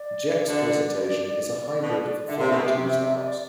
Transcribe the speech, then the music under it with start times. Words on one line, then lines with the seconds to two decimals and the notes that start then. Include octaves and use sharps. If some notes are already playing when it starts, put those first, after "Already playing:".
Jech's presentation is a hybrid of the former two styles.
Already playing: D5
0.48 D2 D3
1.83 B2
2.28 D3 E5
2.40 C3
2.52 B2
2.64 C3
3.17 D5